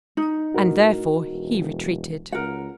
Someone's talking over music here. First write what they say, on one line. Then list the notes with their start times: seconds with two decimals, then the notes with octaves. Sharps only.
And therefore he retreated.
0.17 D#4
0.54 A2 F#4 A#4
1.27 E1
2.32 C#2 A#4 F#5